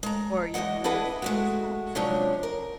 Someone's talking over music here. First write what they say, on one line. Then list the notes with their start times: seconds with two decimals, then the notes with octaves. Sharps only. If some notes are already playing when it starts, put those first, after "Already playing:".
or you can brew a s little small one, if you want.
0.03 G#3 A#5
0.54 E2 G2 G#3 D#5 F#5
0.84 D4 E4 G#4 B4 D#5 F#5
1.22 G#3 A3 F#4
1.95 C3 F3 F#3 G#3 C#4 D4
2.43 A#4